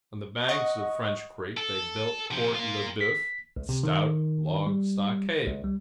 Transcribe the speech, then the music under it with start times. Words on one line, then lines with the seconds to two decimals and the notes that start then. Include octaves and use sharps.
On the banks of French Creek they built Fort Le Boeuf, a stout log-stockade.
0.49 D#5 F#5 C#6
1.57 A4
2.31 C3 F3
2.54 A#3 F4
3.01 B6
3.56 C#2
3.69 C3
3.83 D#3
4.67 G3
5.47 C#2
5.64 G3